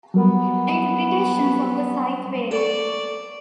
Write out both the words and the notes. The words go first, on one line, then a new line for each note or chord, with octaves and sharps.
Interpretations of the site vary.
F#3 G3 B3 A#4
A4 D5 C#6